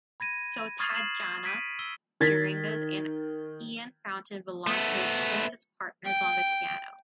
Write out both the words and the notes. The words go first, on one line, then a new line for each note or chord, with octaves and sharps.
So Tatjana Geringas and Ian Fountain belong to his closest partners on the piano.
B5 G#6 A#6 D#7
C#6 D#6 F6 G#6 A6 C7
C7 E7 F#7
B6 D7 D#7
E6 G7
D#3 G#6 A6 B6
A3 B3
G5